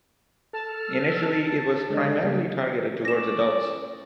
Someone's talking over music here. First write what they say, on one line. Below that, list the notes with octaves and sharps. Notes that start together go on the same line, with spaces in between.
Initially, it was primarily targeted towards adults.
A4 A5 F6
D3 G#3 D4
C#3 A#3
C#4 D5 A#6 E7